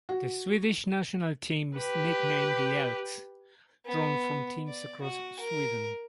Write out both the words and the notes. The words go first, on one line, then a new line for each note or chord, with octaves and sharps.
The Swedish National team is nicknamed the Elks, drawn from teams across Sweden.
F#4
G4 B4
B3
D5
F#4
A#4